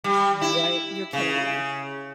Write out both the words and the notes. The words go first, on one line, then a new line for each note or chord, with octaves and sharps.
What? You're kidding me.
G3
E4
C#3